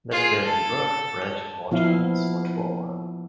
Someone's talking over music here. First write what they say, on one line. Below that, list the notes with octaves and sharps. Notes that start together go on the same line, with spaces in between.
Let there be work, bread, water and salt for all.
F4 G#4
A4
A#2 F3 B3 E4 F5